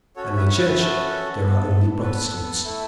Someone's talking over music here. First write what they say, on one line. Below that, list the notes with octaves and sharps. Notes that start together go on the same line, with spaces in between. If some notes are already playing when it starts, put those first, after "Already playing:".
And in the Church there are only Protestants.
C#4 F#4 A4 C#5
B4 E5
C#5
B4 E5
C#4 F#4 A4
B3 A4
B3 A4 B4
A3 E4 A4